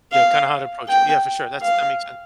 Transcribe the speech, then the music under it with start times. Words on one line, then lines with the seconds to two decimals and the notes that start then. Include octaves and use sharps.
Yeah, kinda how to approach it. Yeah, for sure, that's that makes sense.
0.12 F5
0.88 G5
1.62 F5